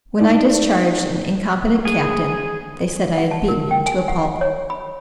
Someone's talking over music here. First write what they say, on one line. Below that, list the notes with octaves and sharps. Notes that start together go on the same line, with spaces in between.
When I discharged an incompetent captain, they said I had beaten him to a pulp.
D#4 D5
G#4
F#5
A5
A#4
G5
G#5
F#5
C#5
B5